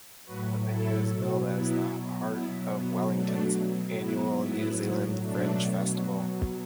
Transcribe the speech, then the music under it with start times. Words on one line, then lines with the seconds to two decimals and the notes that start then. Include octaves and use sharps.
The venue is billed as the 'heart' of Wellington's annual New Zealand Fringe Festival.
0.25 A2 F#3 F#4 B4
0.66 E4 A4
1.08 B2 F#3
1.49 B3 E4
1.90 B2 F#3
2.32 B3 E4
2.73 B2 F#3 B3
3.14 A3 D4
3.56 B2 F#3
3.97 B3 E4
4.39 A2 F#3 B3 E4
5.22 B2 F#3 A3 D4
6.05 B2 F#3